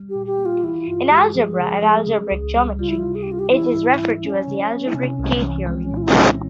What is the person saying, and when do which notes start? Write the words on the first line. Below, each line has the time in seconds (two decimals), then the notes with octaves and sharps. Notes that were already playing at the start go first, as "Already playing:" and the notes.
In algebra and algebraic geometry, it is referred to as algebraic K-theory.
Already playing: G3
0.09 G4
0.15 A#2
0.26 G4
0.39 A#3
0.45 F4
0.63 E3 E4
0.87 G2 F4
1.11 G#3 G4
1.34 F3 G#4
1.60 C#3
1.83 G#3
2.07 C#3
2.31 C#2
2.55 G3
2.79 G3 F4
2.88 E4
2.98 C3 F4
3.15 G#4
3.23 G4
3.27 C#4 F4
3.39 G4
3.51 E3 E4
3.74 G#2
3.99 G3
4.23 F3 C#4
4.47 C#3
4.71 C4
4.87 E4
4.94 C3 C#4
5.19 C2
5.43 E3
5.67 G#3 C4
5.84 C#4
5.91 A#2
5.97 F4
6.02 E4
6.14 C#4
6.20 C4